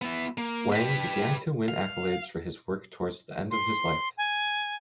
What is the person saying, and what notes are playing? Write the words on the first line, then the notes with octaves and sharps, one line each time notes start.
Wang began to win accolades for his work towards the end of his life.
B3 E4
A#3
G4 B4
F5
C6
G#5